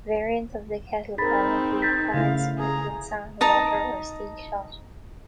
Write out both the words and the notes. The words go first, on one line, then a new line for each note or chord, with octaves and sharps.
Variants of the kettlebell include bags filled with sand, water, or steel shot.
C4 D#4 G#4 A#4 B5 A6 B6
G6 A6 B6
C#3 A3 E4 F5
G#4 A#5
D#4 A5 A#5